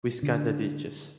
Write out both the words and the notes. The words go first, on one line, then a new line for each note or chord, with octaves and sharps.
We scan the ditches.
D3